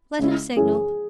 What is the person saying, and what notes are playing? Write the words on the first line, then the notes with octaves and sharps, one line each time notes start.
"Let him signal."
C#2 C#3 G#3 C#4 E4
F#2 C#3 E3 G#4